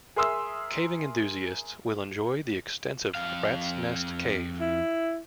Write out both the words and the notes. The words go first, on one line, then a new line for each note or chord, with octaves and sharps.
Caving enthusiasts will enjoy the extensive Rat's Nest Cave.
G#4 A#4 E5 C6 D#6 E6
F2 F5
E4